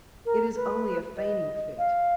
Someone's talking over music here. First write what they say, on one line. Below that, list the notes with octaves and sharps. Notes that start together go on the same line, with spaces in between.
"It is only a fainting fit."
A#4
B4
D#5
F5